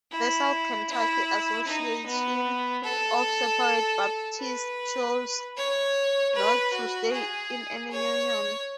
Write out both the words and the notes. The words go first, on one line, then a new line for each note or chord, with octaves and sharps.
The South Kentucky Association of Separate Baptists choose not to stay in any union.
E4
E4
D#4
B3
A4
B4
C#5
B4
F#4
G#4
C#5